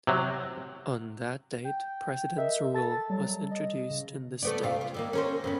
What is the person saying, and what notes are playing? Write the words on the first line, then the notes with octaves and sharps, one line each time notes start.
On that date President's Rule was introduced in the state.
C3 F#3
G5
A#4 D#5 E5
A4 A5 A6
F#3 G3
D#5
C#3
A3 B3 D5
D2 C3 F5
F4
D3 D#3 A#3
C#4 A#4 C5
F2 C#3 B3